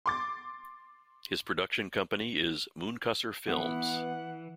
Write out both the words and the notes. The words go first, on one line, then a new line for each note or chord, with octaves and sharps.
His production company is Mooncusser Films.
C6 D6 A6
E3 B3 F#5